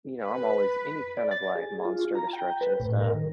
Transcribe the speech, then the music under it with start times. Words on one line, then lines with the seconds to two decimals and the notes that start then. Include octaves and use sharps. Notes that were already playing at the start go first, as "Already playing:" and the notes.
you know, I'm always any kind of, like, monster destruction stuff.
0.22 B4
1.17 D5
1.31 A6
1.55 G#4
1.85 F4
2.15 A#5
2.33 G5
2.61 B4
2.80 A2
3.01 A#4
3.14 D#3